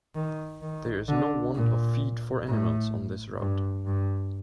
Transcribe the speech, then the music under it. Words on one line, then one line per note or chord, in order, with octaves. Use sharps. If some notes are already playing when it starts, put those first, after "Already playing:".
There is no want of feed for animals on this route.
D#3
D#3
D3
A#2
A2
G2
G2